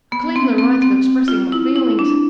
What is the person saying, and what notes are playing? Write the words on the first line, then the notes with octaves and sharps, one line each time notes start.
I claim the right of expressing my feelings.'
B3
C4
C4
C4
F4
E4
E4
D4